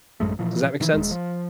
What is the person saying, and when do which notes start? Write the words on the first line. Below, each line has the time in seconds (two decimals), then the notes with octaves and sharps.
Does that make sense?
0.20 A1 F#2 G#3 A3
0.39 A#2 E3 F3
0.80 B2 D#3 E3
0.93 D#1 G#3
1.11 F3